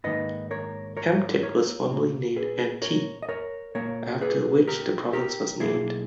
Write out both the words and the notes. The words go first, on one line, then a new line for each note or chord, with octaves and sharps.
Hamtic was formerly named "Antique", after which the province was named.
G#2 D#3 A#3 B4 D#5
A#4 C#5
A#4 C#5
A#4 C#5
A#2 A#3
G#4 B4
A#4 C#5
D#5
A#4 C#5
A#2 A#3 A#4 C#5
G#4 B4
G4 A#4
G4 A#4
B1 B2 A#3 E4 G#4